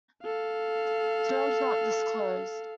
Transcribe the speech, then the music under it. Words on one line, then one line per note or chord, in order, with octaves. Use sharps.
Terms not disclosed.
A4 F5